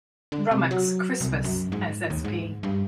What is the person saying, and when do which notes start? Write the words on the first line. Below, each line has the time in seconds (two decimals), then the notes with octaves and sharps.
"Rumex crispus" ssp.
0.32 D3
0.51 C3
0.71 F#3
1.21 C2
1.44 F#2
1.72 G#2
2.10 D#2
2.25 G#2
2.63 G2